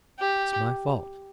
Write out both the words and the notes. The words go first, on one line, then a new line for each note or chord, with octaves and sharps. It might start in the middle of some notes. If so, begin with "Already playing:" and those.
It's my fault.
G4